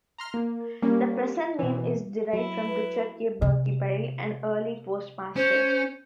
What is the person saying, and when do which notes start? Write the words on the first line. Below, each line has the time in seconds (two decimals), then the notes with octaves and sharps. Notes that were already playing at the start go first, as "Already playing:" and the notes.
The present name is derived from Richard K. Berkeybile, an early postmaster.
0.18 A#5 C6 F6
0.34 A#3
0.82 G3 A#3 C#4
1.59 B2 E3
2.33 F#3 E4
2.66 B4
3.42 C3
5.36 C#4 C5